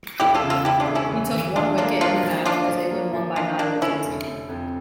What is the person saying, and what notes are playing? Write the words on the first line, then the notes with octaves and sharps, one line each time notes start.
He took one wicket in the match, as England won by nine wickets.
E1 E4 G4
F4 A4
C#3
F4 A4
C#3 E4 G4
D4 F4
E1
C#4 E4
E3
E3
E3 D4 F4
A#3 D4 F4
F3 D4 F4
F3
F3 D4 F4
F3
A#3
F3
F3 D4 F4
F3 A#3 D4
D3 C#4 E4
F1
F1
F2